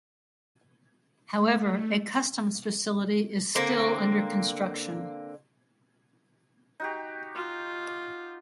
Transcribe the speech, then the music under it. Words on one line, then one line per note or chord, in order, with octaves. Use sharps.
However, a customs facility is still under construction.
A3
D3 A#3 C4
D#4 F#4 G4
F4